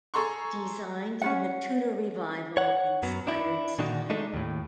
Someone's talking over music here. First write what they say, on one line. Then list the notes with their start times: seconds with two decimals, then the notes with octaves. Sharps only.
Designed in a Tudor revival inspired style.
0.14 G#4 A4 A#5 C6 C#6
1.22 C#4 F4 F#5
2.57 C#5 F#5
3.03 F#2 F#3 B3
3.27 D4 E4
3.78 A#2 D3 D#3 D4 D#4 F#4
4.10 G#3 A3 D4 D#4
4.34 D#2 A2